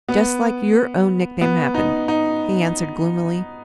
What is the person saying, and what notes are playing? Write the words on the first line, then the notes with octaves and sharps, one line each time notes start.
"Just like your own nickname happened," he answered gloomily.
B3
B3
D#4
D#4